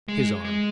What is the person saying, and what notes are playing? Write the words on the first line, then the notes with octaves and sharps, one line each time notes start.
His arm.
G#3
G#3